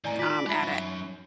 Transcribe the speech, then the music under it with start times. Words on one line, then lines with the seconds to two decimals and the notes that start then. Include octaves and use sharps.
um, at at
0.04 A2 D#3 D5 G#5 A#5
0.19 F4 D5 B6
0.46 G#3 D#4 E5 B5
0.63 F#3 C#4